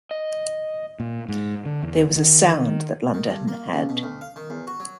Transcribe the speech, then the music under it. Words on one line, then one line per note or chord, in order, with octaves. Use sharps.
There was a sound that London had.
D#5
A#2
G#2
D3
E2
D#3
D#3
G2
A#3
C#2
B2
D2
F5
D#3
E2
F#4
F#3